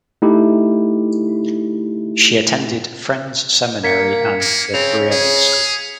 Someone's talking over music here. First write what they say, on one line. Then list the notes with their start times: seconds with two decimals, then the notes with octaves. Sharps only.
She attended Friends Seminary and the Brearley School.
0.22 A3 D#4 E4 G4
3.84 A#3 G#6 B6 C#7
4.40 A#3
4.74 C#3 C4 F7
5.12 G#4